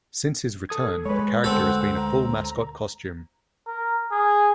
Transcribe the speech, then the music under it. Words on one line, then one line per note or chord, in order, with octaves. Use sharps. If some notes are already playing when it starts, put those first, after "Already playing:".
Since his return, the character has been a full mascot costume.
A4 D#6 G#6
G#3 B4 C#5 B5
D2 G#3 C4 A4 F#5
A#5
A#4
G#4